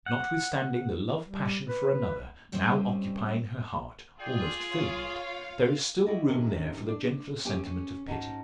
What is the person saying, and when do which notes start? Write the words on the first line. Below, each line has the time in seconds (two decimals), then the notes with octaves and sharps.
Notwithstanding the love passion for another now occupying her heart--almost filling it--there is still room there for the gentler sentiment of pity.
0.06 F#5
1.28 G3
1.68 B4
2.52 G2 G3 C4 C#4 C5 D#5
4.20 F4 G#4 D5 G5
4.71 C#5 F5
6.07 C4 E4 F#4 D5 D#5
6.28 G#2 C3 D#3 A3 C#4 D4
6.86 D4 D5
7.45 C4 C#4 G4 B4 G#5
7.66 C#4
8.07 G#2 C#4 D#4 F#4 B4 A5